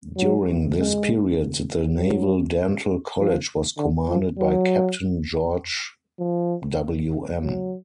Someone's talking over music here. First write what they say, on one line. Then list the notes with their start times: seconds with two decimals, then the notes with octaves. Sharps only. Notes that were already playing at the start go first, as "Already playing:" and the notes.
During this period the Naval Dental College was commanded by Captain George Wm.
0.16 F#3
0.77 G#3
1.98 F#3
3.19 F3
3.78 D3
4.09 F3
4.38 F#3
6.19 F3
7.40 F#3